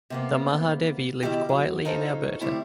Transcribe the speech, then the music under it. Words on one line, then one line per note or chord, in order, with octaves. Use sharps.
The Mahadevi lived quietly in Alberta.
C3 A#3 B3
B2 D#3 E4 G4
F#3
D#4 F4 A4 C5 C#5
D3 G3 A3 C4 E4